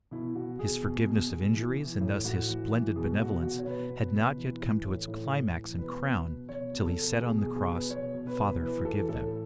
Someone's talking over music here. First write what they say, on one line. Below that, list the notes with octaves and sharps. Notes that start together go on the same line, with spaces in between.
His forgiveness of injuries, and thus His splendid benevolence, had not yet come to its climax and crown till He said on the cross, 'Father, forgive them'.
B2 E4
B2 F#4
B2 G#4
B2
B2
B2
E3
E3
A2
A2 F#4
E3
E3
B2 G#4
B2 F#4
B2 F#4
C#5
B2 B4
B2
B2
E3
E3
A2
A2
E3
E3
B2 B4
B2
B2
B2 C#5
B2
A4
B2
B2 G#4
G#4
B2
G#4
B2
B4
B2 C#5
B2
B4
B2
E3 B4
E3 A4
A2 A4